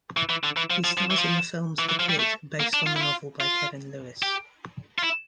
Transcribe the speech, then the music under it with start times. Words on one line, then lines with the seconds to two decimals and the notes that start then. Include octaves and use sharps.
He stars in the films "The Kid", based on the novel by Kevin Lewis.
0.17 E3
0.30 E3
0.44 D3
0.57 E3
0.70 F3
0.84 F3
0.97 F3
1.10 E3
1.18 F3
1.79 E3
1.89 E3
1.99 F3
2.09 G3
2.19 A3
2.60 A#3
2.74 D4
2.86 F4
2.96 E4
3.01 F4
3.40 F4
4.23 G4
4.99 F4
5.04 E4